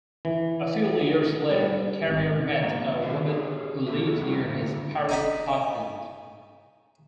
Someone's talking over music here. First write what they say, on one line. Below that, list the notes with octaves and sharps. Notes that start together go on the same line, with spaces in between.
A few years later, Carrier met a woman who lived near his Paris apartment.
E3
G3
G#1
D3 F3 A#3
D#3 F#3 F4 E5 F5
G4 G#4 C#5
F#4 G4 A4 D5 E5
F#2 G3 C4 D#5 F#5
D3 F#3 A#3 D4
D#4 D#5 B5